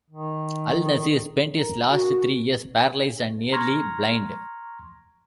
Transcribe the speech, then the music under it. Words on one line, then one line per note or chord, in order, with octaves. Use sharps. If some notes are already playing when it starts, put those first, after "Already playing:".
Al-Nasir spent his last three years paralysed and nearly blind.
D#3
A#4
F#4
A#5 C6 C#6 F6 G#6 A#6